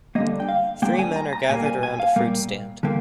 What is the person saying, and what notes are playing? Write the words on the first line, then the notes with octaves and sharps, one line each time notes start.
Three men are gathered around a fruit stand.
D3 G3 A#3 D#5
G5
F5
D3 G3 A#3 G5
G#5
A#5
A#5
A#2 G3 A#3 G#5
G#5
G#5
F5
A#2 G3 A#3
D3 G3 A#3